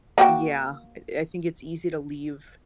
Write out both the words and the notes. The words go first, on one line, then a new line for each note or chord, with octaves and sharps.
Yeah, eh I think it's easy to leave
A#3 F#4 G5